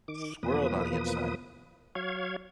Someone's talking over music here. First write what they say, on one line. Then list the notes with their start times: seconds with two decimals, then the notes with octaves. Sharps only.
Swirled on the inside.
0.08 D#3 D6
0.43 E2 B2 F3 A#3 B4 D#6
1.95 F#3 C#5 F5 G#6